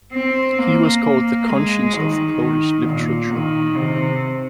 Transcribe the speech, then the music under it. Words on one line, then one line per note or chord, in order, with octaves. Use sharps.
He was called the "conscience of Polish literature".
C4
A#3
G#3
D#3
D#3
A#2
D#3
C3